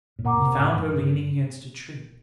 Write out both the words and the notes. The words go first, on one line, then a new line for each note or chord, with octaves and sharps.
He found her leaning against a tree.
A2
A#2 A#4 F#5 A#5 D6
A#2
C3
A2
G2
D3